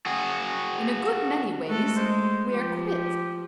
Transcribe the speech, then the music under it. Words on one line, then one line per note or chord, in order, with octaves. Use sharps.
In a good many ways, we're quits.
F#4 G#4
G#3 A3 F#4 A4
G#3 C5
F3 G4
G4